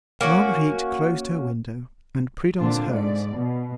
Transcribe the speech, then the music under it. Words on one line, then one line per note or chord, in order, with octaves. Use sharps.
Marguerite closed her window and Prudence hers.
A#3 C#4 F#4
A#2 D3 C4 D4 F4
G#2 D5
B2